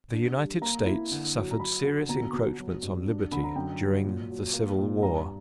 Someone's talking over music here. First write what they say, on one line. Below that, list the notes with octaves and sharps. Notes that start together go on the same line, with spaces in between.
The United States suffered serious encroachments on liberty during the Civil War.
D4
G3
A#3 A#5
E4
D3
F#3
A#5
F#3 B5
D3
B2 A#5
B2
F#3
G2
D4
D3 B5
A#5
F#2 G5
F#3
A#2
F#3
A#3
A#2
G2 A#5